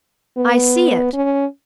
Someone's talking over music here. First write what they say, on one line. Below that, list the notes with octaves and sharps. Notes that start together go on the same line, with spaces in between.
I see it!
B3
C#4